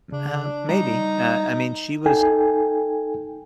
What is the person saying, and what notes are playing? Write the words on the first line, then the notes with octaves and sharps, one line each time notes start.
Uh, maybe. Uh, I mean, she was
C#3 D4
G3 D#4 A#5
D#4 A4 G5 G#5